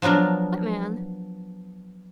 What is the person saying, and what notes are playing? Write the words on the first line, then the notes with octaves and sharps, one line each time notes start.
"What man?"
F3 F#3 B3 D4 A#4